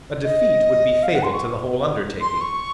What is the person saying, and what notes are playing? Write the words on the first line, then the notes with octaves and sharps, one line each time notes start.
A defeat would be fatal to the whole undertaking.
D#5
F5
F#5
C6
C#6
C6
C#6